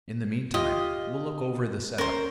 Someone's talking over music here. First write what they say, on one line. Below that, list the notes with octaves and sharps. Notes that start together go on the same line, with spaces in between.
In the meantime, we'll look over the set-up.
F4 G4 D#5
C#4 A#4 C5